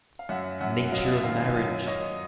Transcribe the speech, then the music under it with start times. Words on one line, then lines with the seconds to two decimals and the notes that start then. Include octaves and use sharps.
Nature of marriage.
0.19 F5
0.29 F#2 E5 F#5
0.60 F#2 E5 F#5
0.84 F#5
0.92 F#3 D#5 F5
1.14 E5
1.24 D#3 D#5 F5
1.56 F#2
1.87 F#2 C#5 D#5